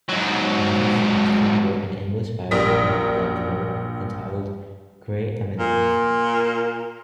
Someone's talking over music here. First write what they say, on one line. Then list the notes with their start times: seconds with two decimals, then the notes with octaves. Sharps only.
Aldous Huxley wrote an English biography of Leclerc entitled, "Grey Eminence".
0.09 G#2 F#3
2.51 A#1 G3 A#4 D#6 B6
5.59 A#2